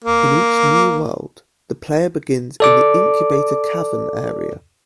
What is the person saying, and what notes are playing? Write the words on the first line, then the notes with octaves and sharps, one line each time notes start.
In each new world, the player begins in the incubator cavern area.
A#3
A4 D5 D6